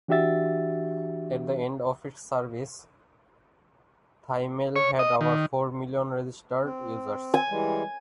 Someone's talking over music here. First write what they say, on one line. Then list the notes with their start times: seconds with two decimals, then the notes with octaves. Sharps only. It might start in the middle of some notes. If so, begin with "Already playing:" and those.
At the end of its service, Thaimail had over four million registered users.
0.08 E3 D4 F#4 G4 E5 A6
4.76 C#5
4.99 D#5
5.21 D#3
6.62 C4
7.34 G#5
7.50 E3 G3 G#3